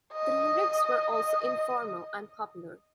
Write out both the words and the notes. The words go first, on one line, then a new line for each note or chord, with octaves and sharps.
The lyrics were also informal and popular.
D#5
D#5